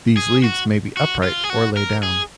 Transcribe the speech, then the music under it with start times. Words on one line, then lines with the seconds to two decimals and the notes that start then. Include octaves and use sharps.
These leaves may be upright or lay down.
0.17 G#4
0.44 F#4
0.97 F#4
1.23 F4
1.44 G#4
1.50 F#4
1.77 A#4
2.03 G#4